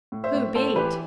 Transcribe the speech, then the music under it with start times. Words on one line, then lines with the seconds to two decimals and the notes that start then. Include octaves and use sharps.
"Who beat?"
0.12 A2
0.24 C5 E5
0.34 A2
0.55 A2 A4 C5
0.76 E3 G4 B4